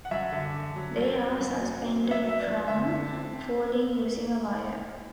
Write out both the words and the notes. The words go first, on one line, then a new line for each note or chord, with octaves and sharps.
They are suspended from falling using a wire.
F#5
F#2 E5
D3
D3
F#3
F#2
C4
F#2
F#3
C4
F#3
E5
F#3 E5
D5
F#2
D3 E5
D3
C4
C4